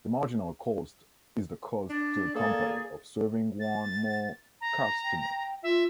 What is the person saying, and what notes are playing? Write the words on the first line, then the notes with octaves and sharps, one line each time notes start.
The marginal cost is the cost to the company of serving one more customer.
D4 D5
A#3 G#4 A4
A6
A#5
G5
F4 E5